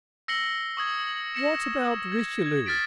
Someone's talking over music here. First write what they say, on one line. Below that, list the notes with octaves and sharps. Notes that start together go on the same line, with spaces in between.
"What about Richelieu?"
E6 A#6 C7 C#7 F#7 G7
C#6 D#6 G#6
A#6 C#7 E7
G#6
G#6
F6 A6 B6 D7